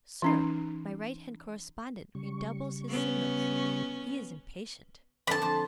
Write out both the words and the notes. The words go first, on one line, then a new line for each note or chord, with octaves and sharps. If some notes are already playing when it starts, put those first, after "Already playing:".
"Sir, my right-hand correspondent redoubles his signals; he is impatient."
E3 C#4 D#4
C#3 G3 C#6
B3 C#4
F2 D3 A5 B5
F2 C5